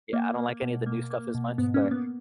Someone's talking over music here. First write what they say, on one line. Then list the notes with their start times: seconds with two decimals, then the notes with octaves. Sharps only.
Yeah, I don't like any of the new stuff as much, but,
0.13 A#3
0.37 A#3
0.62 B2
0.86 A#3
1.10 A#3
1.35 B2
1.58 G#2 B3
1.74 C#4
1.82 A#3
1.91 B3